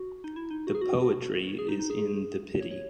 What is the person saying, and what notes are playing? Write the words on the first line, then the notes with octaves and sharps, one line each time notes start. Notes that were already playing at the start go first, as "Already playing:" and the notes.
The Poetry is in the pity.
Already playing: F#4
D#4
E4
D#4
F#4
G#4
F#4
F#4
G#4
D#4
D#4
G#4
C#5
C#5